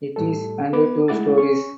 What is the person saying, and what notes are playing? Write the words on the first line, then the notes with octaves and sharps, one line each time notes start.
It is and two stories.
A2 G3 A4
B3 B4 D6
G#3 A3 E4 F#5 D6 A6
C#4 C#6